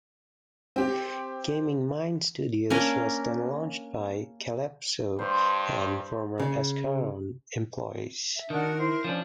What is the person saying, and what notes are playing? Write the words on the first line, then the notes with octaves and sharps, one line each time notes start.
Gaming Minds Studios was then launched by Kalypso and former Ascaron employees.
C4 G4
A#3 C#4 D4 A#4
G2 C5
C#3
E5
D#3 D4 F#4 A#4
E4 C5
F3 C#4 D4